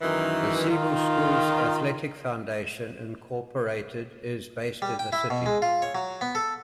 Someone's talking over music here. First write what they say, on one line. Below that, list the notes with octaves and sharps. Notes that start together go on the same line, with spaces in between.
The Cebu Schools Athletic Foundation, Incorporated is based in the city.
F#2 D#3 E3
D#3 F4
G3
G5
E4
B2
G#3
F4
C#5
F#3
B3
A4